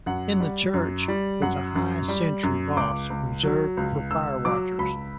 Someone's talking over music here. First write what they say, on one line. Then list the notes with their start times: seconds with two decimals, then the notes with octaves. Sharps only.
In the church was a high sentry bos reserved for fire-watchers.
0.06 F#2 F#5
0.40 G3
0.74 F#2
1.08 G3
1.42 F#2 F#5
1.76 F#2
2.08 G3
2.43 F#2
2.77 C#2 D6
3.10 C#2
3.43 F#3
3.77 C#2
4.11 C#2 E6
4.45 F#3 D6
4.78 C#2 B5